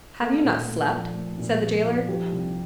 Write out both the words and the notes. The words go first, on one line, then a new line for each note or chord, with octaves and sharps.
"Have you not slept?" said the jailer.
A3 A4
A#2
A3
F3
A3
A#2
F3
F3
F3 G4
C2